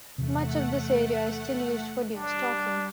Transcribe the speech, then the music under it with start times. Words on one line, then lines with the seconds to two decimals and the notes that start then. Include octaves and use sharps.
Much of this area is still used for deer stalking.
0.18 E2 C3 A3 F#5
2.16 G3 D4